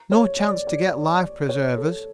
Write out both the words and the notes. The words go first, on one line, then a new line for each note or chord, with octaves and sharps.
No chance to get life-preservers.
C#5
D5
D5
C#5
A4